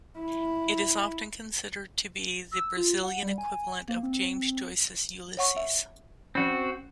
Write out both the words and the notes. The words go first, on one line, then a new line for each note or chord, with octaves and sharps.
It is often considered to be the Brazilian equivalent of James Joyce's "Ulysses".
E4
E6
F4
F#5
G3
G#5
A#3
C4
C#5 F#5 C#6
E5
F3 C4 C#4 F#4